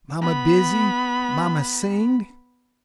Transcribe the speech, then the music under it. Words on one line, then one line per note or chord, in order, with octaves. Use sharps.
"Mama busy; mama sing."
B3 B5